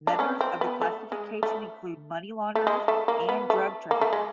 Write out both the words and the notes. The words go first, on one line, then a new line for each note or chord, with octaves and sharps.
Members of the classification include money launderers and drug traffickers.
D4
B3 C#4
C4
B3
A3
G#3
A3
A3
G#3
A3
A#3
B3
A3
A#3
A3
G#3